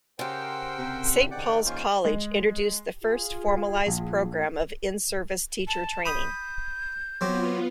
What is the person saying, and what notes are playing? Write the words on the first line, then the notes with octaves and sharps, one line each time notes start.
Saint Paul's College introduced the first formalised program of in-service teacher training.
C#3 G4 A#4 C5 F#5 G5 C6 E6
C3
G#2 D#3 D5 F#5 G5
A#3 C#4 F4 C5
G#3
F4 G#4
A#1
A5
B5 D#6 G6
F#3 B3 C4 F4 G4